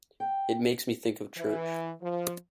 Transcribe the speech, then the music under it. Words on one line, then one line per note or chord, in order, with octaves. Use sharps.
It makes me think of church.
G5
E3
F3